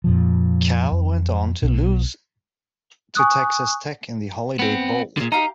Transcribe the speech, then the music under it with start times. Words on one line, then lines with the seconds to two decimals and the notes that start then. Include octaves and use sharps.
Cal went on to lose to Texas Tech in the Holiday Bowl.
0.04 F2 A#2 F3
0.92 F2
1.62 B1 B2
3.15 G#5 C#6 D#6 F#6
4.59 B3 C4
5.17 A#2 D3 G#4 D5
5.32 D#4 G4 F5 A#5